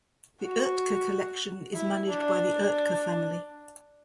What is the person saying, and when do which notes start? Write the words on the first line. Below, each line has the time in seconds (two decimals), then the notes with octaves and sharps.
The Oetker Collection is managed by the Oetker family.
0.42 F#4
1.74 E4
2.08 D4